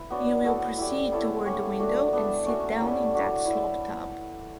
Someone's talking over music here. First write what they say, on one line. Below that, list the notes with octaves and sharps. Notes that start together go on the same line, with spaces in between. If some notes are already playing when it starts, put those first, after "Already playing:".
You will proceed toward the window and sit down in that slop-tub.
Already playing: E4 B4
B3 D4 F#4 C#5
B3 F#4 A4
E4 G4 D5
B3 E4 A4 C#5
A3 C#4 G4 C#5
A3 D4 F#4
B3 D4 A4 E5
A3 C#4 F#4 C#5
G3 C#4 E4 A4
D4 F#4 C#5
E4 B4 E5